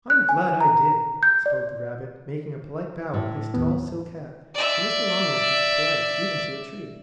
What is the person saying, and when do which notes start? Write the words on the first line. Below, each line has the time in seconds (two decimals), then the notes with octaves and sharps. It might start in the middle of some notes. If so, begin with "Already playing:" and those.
"I am glad I did," spoke the rabbit, making a polite bow with his tall silk hat, for Mr. Longears was polite, even to a tree.
0.10 F#6
0.29 G#5
0.61 A#5
1.23 G6
1.46 D5
3.14 A2
3.54 D#2 B3
4.54 D5 E5